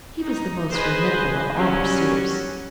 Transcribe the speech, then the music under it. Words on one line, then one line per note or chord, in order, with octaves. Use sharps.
He was the most formidable of all her suitors.
D#4
G#4 B4 C5 D#5 G#5
F#3 G3 C#4 F#4